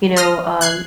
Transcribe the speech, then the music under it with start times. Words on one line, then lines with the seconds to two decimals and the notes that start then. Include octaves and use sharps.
you know, um,
0.16 C6 D#6 F6 A#6
0.61 F#6 G#6 C7